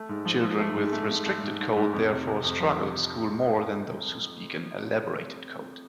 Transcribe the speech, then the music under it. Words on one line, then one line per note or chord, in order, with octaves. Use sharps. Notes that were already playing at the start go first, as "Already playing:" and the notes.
Children with restricted-code, therefore, struggle at school more than those who speak an "elaborated-code".
Already playing: A3
G#2
F3
F3
A3
G#2
A3
A3
A3
G#2
G#2
G#2
F2
C3
C3
F2
F3
C3